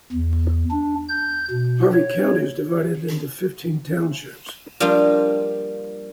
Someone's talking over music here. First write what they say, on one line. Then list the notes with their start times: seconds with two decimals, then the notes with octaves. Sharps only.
Harvey County is divided into fifteen townships.
0.12 E2
0.71 D4
1.09 G6
1.51 B2
1.94 C#5
4.80 F3 G3 A#3 D4 F4